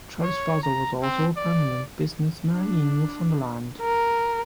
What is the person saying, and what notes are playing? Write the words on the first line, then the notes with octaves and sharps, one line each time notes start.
Charles' father was also a prominent businessman in Newfoundland.
C#5
A#5
C4
D5
D4
A#4